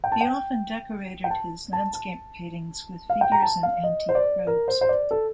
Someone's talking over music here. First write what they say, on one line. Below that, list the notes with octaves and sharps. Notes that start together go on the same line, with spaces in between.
He often decorated his landscape paintings with figures in antique robes.
G5
A5
G5
G5
A5
A5
A5
F5
G5
A#5
A5
F5
D#5
C5
D5
A#4
C5
C5
D5
A4